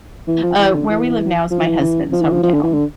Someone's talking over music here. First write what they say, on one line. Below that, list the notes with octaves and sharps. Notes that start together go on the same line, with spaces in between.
Uh, where we live now is my husband's hometown.
E3
F3
E3
D3
E3
F3
E3
E3
F3
E3
F3
F3
D3
E3
D3